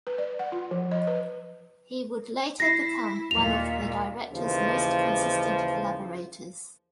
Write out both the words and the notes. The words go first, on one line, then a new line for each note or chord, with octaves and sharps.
He would later become one of the director's most consistent collaborators.
B4
D5
F#5
F4
F3
D#5
B4
E4 A#6 C7
D#2 A#2 F7
D#2 C#3 E3 F3